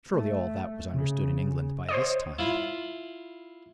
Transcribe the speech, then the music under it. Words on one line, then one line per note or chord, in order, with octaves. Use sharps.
Surely all that was understood in England by this time.
A3
C#3
C5 C#5 D#5
E4 F4 B5